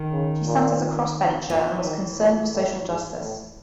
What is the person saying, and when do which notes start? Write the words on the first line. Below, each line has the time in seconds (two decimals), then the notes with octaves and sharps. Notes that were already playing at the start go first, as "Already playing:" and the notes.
She sat as a cross-bencher, and was concerned with social justice.
Already playing: D#3
0.12 C#3
0.46 A#2
1.50 A#2 E3
1.84 D#3
2.18 A#2
2.53 A2
2.87 G#2
3.21 A2